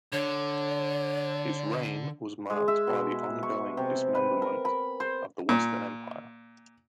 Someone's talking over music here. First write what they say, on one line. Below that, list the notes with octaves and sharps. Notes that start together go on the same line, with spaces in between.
His reign was marked by the ongoing dismemberment of the Western Empire.
D3 C#5
G#3
E5
B2
C#6
C3
B4
A#4
B5
C5
A#2